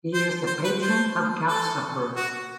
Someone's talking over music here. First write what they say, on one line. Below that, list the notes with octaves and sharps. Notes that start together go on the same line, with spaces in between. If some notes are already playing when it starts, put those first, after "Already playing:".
He is the patron of gout sufferers.
C5
C5
B4
C5
A4
F#4